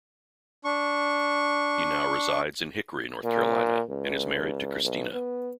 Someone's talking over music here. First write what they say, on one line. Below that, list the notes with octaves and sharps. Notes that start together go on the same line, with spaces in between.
He now resides in Hickory, North Carolina, and is married to Christina.
D4 C#6
A#2
C#2
B1
B3